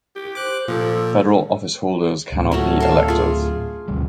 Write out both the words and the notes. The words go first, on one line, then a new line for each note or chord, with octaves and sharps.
Federal office holders cannot be electors.
G4
C5 D6 F#6
A#2 F3 A4
D2 A2
F#3 A3 C#4
A4 F5
F4 G#4
D2 G3